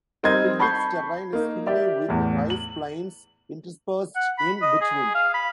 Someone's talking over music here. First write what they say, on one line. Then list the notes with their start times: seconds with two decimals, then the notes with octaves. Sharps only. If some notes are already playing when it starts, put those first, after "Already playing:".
Piddig's terrain is hilly with rice plains interspersed in between.
0.23 G3 C4 D#4 A#4 D#5 G#6
0.59 A5 B5 C#6 G6 C7
1.33 A#3 D#4
1.66 G4 D5 E5
2.08 E2 A2
2.50 F#7
4.15 F#5
4.38 B5
4.62 D#5
4.81 G#4
5.14 F5
5.34 B5